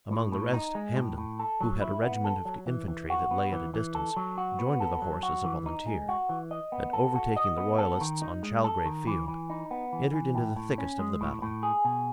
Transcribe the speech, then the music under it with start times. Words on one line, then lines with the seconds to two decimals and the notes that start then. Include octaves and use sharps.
Among the rest Hambden, who had a regiment of infantry that lay at a distance, joined the horse as a volunteer; and overtaking the royalists on Chalgrave field, entered into the thickest of the battle.
0.11 A2
0.32 A2
0.53 D#4
0.75 G#3
0.96 A2
1.18 A2
1.39 A4
1.61 F#3
1.82 E4
2.03 B3
2.24 A4
2.45 F#3
2.67 E3
2.88 E3
3.10 F#4
3.31 B3
3.52 E3
3.74 E3
3.95 A4
4.17 F#3
4.38 F#4
4.59 B3
4.81 A4
5.02 F#3
5.23 F#4
5.44 E3
5.66 D#4
5.87 G#3
6.09 F#4
6.29 E3
6.51 D#5
6.72 B3
6.93 A4
7.15 F#4
7.36 D#5
7.58 B3
7.79 A4
8.01 D#3
8.22 D#4
8.43 G#3
8.64 A4
8.85 D#3
9.07 E3
9.28 E3
9.50 D#4
9.71 B3
9.93 E3
10.14 E3
10.35 A2
10.56 A2
10.78 C#4
10.99 G#3
11.21 A2
11.42 A2
11.63 G#4
11.85 B2